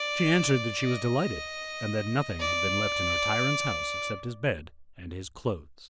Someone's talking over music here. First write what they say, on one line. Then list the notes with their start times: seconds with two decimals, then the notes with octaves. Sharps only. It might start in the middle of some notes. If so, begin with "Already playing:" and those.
She answered that she was delighted, and that nothing had been left in her tyrant's house except his bed and his clothes.
Already playing: D5
0.82 D#5
2.40 D5